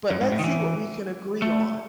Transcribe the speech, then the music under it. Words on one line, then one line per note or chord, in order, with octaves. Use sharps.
but let's see what we can agree on,
F#2
G#2
A2
D#3
E3
A3